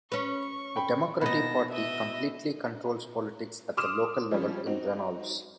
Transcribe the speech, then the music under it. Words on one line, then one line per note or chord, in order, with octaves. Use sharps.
The Democratic Party completely controls politics at the local level in Reynolds.
C#4 B4 C#6
G5 B5
B2 A#3 B3 D#4 A5 B5 A#6
D#5 E5
C6 D6 D#6 F6 E7
F3 G3 C#4
C4 D#4 F#4